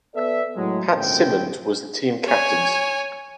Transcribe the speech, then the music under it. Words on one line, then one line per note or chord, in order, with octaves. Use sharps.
Pat Simonds was the team captains.
B3 A4 B4 D5 E5
A2 F#3 G#3
G1 C#2 F#2 A2 C4 G5
C#5 G#5